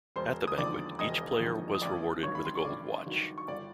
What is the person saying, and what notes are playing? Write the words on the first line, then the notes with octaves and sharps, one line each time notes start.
At the banquet, each player was rewarded with a gold watch.
E1 C5 C6
D#6
D#2 D3 F3 D5 D6
E1 D#5 D#6
D#2 D3 F3
D#6
A1 D5 D6
G2 D#3 F#3 C#5 C#6
B5
C6
C#6
A1 D5 D6
G2 D#3 F#3
C#6
G1 D5 D6